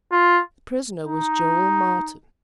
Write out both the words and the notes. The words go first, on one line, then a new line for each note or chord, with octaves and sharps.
The prisoner was Joel Martin.
F4
D#4